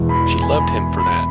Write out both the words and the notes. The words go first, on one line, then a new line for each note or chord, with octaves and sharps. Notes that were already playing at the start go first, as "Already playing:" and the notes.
She loved him for that.
Already playing: E2 B2 G#3 B3 E4
B5
G#5
B5
B5